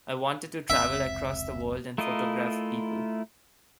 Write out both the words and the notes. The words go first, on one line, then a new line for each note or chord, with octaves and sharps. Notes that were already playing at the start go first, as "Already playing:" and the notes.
I wanted to travel across the world and photograph people.
F1 C#2 C4 E5
A3 E4 F4 A#4 D#5